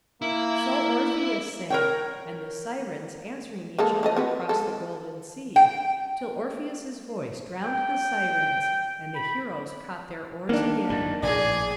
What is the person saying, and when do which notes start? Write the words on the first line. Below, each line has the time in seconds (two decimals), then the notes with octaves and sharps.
So Orpheus sang, and the Sirens, answering each other across the golden sea, till Orpheus's voice drowned the Sirens, and the heroes caught their oars again.
0.22 A#3 E4
1.70 A#4 C#5 G5
3.79 G#3 A#3 A4
4.03 A3 A4 D#5
4.16 C4 F#4 B4
4.49 G#3 A4
5.56 G5
7.64 G5
9.15 B5
10.49 D#3 A#3 D4
10.90 F#2 D#3
11.23 A#1 A2 G#4 D5